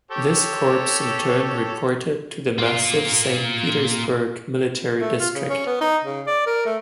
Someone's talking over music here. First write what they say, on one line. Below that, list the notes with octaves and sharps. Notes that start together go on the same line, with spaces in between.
This corps in turn reported to the massive Saint Petersburg Military District.
G4 A4 C#5
A#3 F4
A3
F4
C#3
C#4
B3
D#4
C#3
D5
A#4
A3